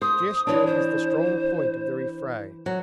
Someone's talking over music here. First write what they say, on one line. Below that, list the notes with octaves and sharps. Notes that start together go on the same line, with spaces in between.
Gesture is the strong point of the refrain.
C5 D#6
E3 D4 C#5
C5
F#3